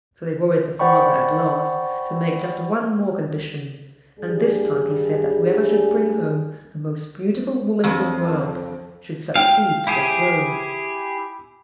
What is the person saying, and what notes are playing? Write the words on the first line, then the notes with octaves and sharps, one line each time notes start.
So they worried the father at last to make just one more condition; and this time he said that whoever should bring home the most beautiful woman in the world should succeed to the throne.
C5 D5 F#5 G5 B5 C#6
G2 G3 G#4
F2
F5 G5
E4 G4 G#4